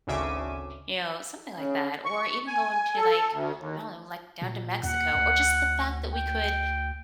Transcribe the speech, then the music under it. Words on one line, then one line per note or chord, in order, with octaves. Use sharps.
you know, something like that, or even going to, like, I don't know, like, down to Mexico or just the fact that we could
G#1 D2 C#3 E5 D6 D#7
C#3
C#6
G#5
A4
D2
D#2
A#2
D#2 F#5
D2
G5